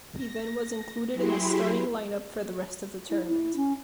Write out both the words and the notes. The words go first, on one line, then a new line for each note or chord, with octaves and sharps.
He then was included in the starting lineup for the rest of the tournament.
A#6
F#3 E4 G4 G#4 B5 C6
E4
E4
C#4